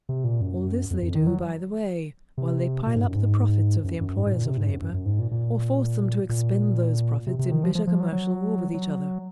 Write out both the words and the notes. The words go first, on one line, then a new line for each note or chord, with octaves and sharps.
All this they do by the way, while they pile up the profits of the employers of labour, or force them to expend those profits in bitter commercial war with each other.
C3
A#2
F#2
F2
F2
D#3
F#3
C3
A#2
G#2
F#2
G#2
F#2
F#2
G#2
G#2
A#2
C3
G#2
F#2
F#2
F#2
G#2
A#2
A#2
A#2
C3
C3
D#3
F3
F3
F3
F#3
F#3
F#3